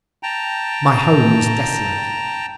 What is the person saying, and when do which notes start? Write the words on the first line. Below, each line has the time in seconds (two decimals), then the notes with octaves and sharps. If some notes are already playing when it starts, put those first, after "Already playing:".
My home was desolate.
0.23 G5 A5 A#5